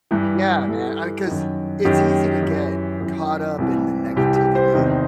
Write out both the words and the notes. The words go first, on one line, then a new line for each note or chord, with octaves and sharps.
Yeah, man. I 'cause it's easy to get caught up in the negativity
G2 E3
G2 E3 A4
F#2 D#3
F#2 D#3 G4
F#2 E3
F#2 E3
C2 C3 E3
C2 C3 E3 G4
G4
C5
E2 C3 D#3